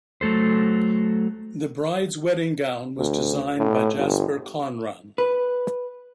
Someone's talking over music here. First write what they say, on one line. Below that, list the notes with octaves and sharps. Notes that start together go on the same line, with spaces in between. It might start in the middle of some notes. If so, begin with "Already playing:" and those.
The bride's wedding gown was designed by Jasper Conran.
F#3 A3 A4 C5
D2
A2
G1
B4